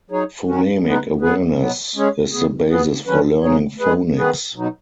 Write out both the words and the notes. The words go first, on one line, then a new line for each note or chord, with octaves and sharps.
Phonemic awareness is the basis for learning phonics.
F#3 D#4 G#4 C#5
D#3 F#3 C#4 F#4
G#3 B3 D#4 B4
B3 G#4 B4
B2 F#3 B3
G#3 C#4 G#4 C#5
C#3 B3 G#4
B3 G#4 B4
D#3 F#3 C#4 B4
C#3 G#3 D#4 G#4 C#5
G#3 B3 G#4 B4
D#3 B3 G#4 B4
B2 F#3 D#4